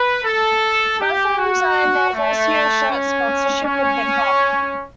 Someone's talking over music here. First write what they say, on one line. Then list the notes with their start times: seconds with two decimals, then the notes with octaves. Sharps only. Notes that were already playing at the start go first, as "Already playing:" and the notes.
Both firms are in their first year of shirt sponsorship with the club.
Already playing: B4
0.25 A4
1.00 G4
1.38 F#4
2.14 A3
2.90 C#4
3.65 C#4